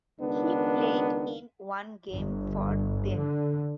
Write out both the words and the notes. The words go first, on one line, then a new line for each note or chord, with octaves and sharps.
He played in one game for them.
C#2 D#3 B3 D4
G1
D3